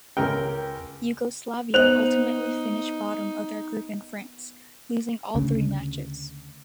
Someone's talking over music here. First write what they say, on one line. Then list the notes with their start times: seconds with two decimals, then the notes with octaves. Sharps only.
Yugoslavia ultimately finished bottom of their group in France, losing all three matches.
0.17 C#2 C#4 A#4 G5
1.74 B3 D#4 C5 F#6 F7
5.35 D2 C#3